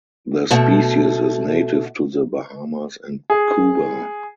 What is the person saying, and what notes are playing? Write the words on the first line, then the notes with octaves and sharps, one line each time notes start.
The species is native to the Bahamas and Cuba.
B2 A3
G#4